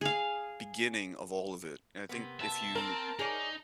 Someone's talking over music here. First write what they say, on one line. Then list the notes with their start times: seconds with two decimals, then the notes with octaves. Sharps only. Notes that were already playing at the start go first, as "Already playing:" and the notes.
beginning of all of it. And I think if you
0.01 G#4 F5
2.09 C3 A#3 B3
2.40 E5 A5
2.75 C4 A#4
3.19 D#4 G#4 C#5 D5